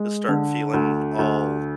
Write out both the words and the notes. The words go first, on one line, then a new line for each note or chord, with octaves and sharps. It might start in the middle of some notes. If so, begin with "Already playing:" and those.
You'll start feeling all
Already playing: G#3
D3
D2
D2